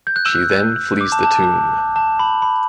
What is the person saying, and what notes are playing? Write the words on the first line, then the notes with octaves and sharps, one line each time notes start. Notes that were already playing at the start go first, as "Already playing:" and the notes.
She then flees the tomb.
G6
F#6
E6
F#6
D6
A5
A5
A5
B5
B5